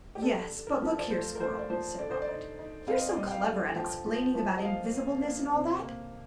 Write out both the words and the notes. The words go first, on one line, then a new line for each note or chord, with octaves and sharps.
'Yes, but look here, Squirrel,' said Robert; 'you're so clever at explaining about invisibleness and all that.
G4
D4 A4
D3
A#4
F3
D5
A3 C5
A#4
A3 C5
D5
F3 C5
D3 D5
C5
D5
D#4
D#4
C4 F5
D#5
D5
G3 D#5
G5
F5
D3
F3 G5
F3
F3
D#5
A#3 F5
A#3
A#3
C3
A#3